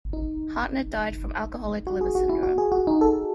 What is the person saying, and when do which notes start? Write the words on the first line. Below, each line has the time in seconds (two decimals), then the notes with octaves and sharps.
Hartnett died from Alcoholic Liver Syndrome.
0.13 D#4
1.87 F#4
2.01 G#4
2.15 F#4
2.29 E4
2.43 F#4
2.58 G#4
2.72 F#4
2.87 D#4
3.01 A4